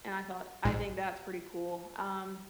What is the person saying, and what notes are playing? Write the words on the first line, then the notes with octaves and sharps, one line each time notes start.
and I thought, "I think that's pretty cool." Um,
A#1 G#2